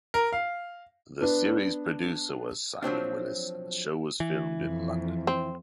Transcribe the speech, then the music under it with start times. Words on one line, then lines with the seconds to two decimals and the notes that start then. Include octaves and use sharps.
The Series Producer was Simon Willis and the show was filmed in London.
0.14 A#4
0.33 F5
1.21 B3 D4 B4
2.83 F3 F#3 C4 D4
4.20 E3
4.60 F2
5.27 C4